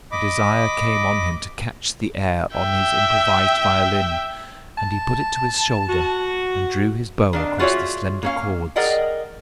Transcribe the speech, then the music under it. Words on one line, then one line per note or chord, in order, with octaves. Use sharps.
A desire came on him to catch the air on his improvised violin, and he put it to his shoulder and drew his bow across the slender cords.
D#5 B5 D6
E5 G5
A5
F#4
D#3 D4 F5
F4 F#4 G#4 C#5 D5 E5
A#3 C#4 F5
G#4 A#4 D5 D#5 F#5 G5